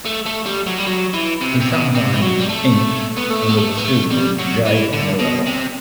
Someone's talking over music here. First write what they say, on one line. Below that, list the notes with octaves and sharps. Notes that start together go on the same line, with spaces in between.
He sometimes inked under the pseudonym Jay Noel.
A3
A3
G3
F#3
G3
F#3
E3
C3
C3
B2
C3
E3
F#3
G3
A3
B3
A3
B3
A3
B3
A3
G3
F#3
E3
D3
B2
C3